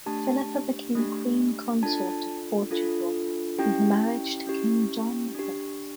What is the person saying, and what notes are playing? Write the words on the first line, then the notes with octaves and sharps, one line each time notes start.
Philippa became Queen consort of Portugal through her marriage to King John the First.
A3 D4 G4 A5
A3 D4 G4
D4 F4 A4 A5
D4 F4 A4
C#4 E4 G4 G5
C#4 E4 G4
D4 G4